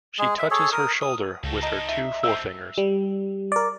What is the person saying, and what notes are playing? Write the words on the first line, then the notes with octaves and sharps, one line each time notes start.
She touches her shoulder with her two forefingers.
G#3 G#4
E5
G#4 A4 C#5
A#4 D#6
D#6
C#2 D#4 A4
D#5 A#5
E5
D3 C4 E6
G3
A#4 D5